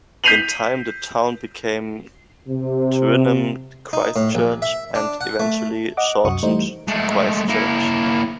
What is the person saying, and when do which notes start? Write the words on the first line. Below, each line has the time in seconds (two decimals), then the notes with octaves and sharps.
In time the town became Twynham-Christchurch and eventually shortened to Christchurch.
0.24 G6 B6 C7 D#7 F7 F#7
2.49 C3
3.93 D#4
4.16 A2
4.35 A#1
4.62 E5
4.95 D4
5.21 F#5
5.40 A3
5.97 D#5 F#5 D6
6.25 C2 F#2 F#4 C#6 D#6 C#7
6.43 E3 G3 A3 D#4 C5
6.88 G#3 A3
7.49 A#3 E4